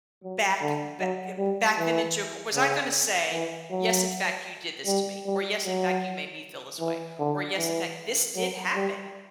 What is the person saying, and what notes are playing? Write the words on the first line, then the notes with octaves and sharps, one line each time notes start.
back ba eh, back them into a co Was I gonna say, "Yes, in fact, you did this to me," or, "Yes, in fact, you made me feel this way," or, "Yes, in fact, this did happen,
F#3
D3
F#3
G3
E3
C#3
E3
F#3
G3
G3
F#3
E3
D3
E3
F#3
G3